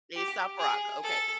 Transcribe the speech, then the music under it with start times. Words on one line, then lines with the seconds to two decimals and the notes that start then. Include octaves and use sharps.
Aesop Rock, okay.
0.16 G4
0.59 G#4
1.03 A4